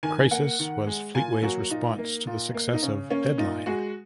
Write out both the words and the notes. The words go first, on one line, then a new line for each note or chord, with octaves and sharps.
"Crisis" was Fleetway's response to the success of "Deadline".
D#3 G#5
A#3 F#5
D#3
G#3
A#2 G#5
F#3 A#3 F#4
A#2 D#4
A#3
A#2
A#3
D#4
C#3 C#4
A#3 C#4
A#2 D#4
G#3 F#4